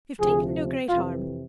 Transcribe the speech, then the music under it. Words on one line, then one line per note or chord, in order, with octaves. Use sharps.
"You've taken no great harm."
D2 C3 F3 G#4
F2 C3 E3 F4